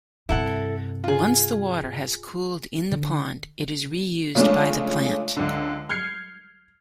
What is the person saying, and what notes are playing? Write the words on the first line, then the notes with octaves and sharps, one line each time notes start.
Once the water has cooled in the pond, it is reused by the plant.
G2 C3 E4 A4 F#5
F4 G#4
D3
C#3 F3 G#3 A3 C#4 D4
C#2 D3
F6 G6 G#6 C7 C#7